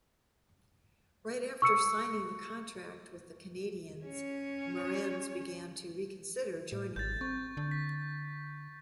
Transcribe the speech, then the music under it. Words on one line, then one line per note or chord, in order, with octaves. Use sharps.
Right after signing the contract with the Canadiens, Morenz began to reconsider joining them.
C#6 E6 C#7
C#4 C#5
A2
G#1 G6 A6
C4 C#6
D3
B6